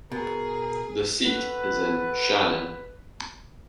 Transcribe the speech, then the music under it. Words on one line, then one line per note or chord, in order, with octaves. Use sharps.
The seat is in Shannon.
B2 G#4 A#4
F#4 A4 B4